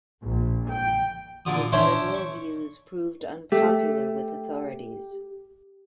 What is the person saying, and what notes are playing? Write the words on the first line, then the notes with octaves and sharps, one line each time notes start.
His liberal views proved unpopular with authorities.
A#1
G5
A#2 D3 D#6
C#4 D4 C5 C#5 E5
C#6
A3 G4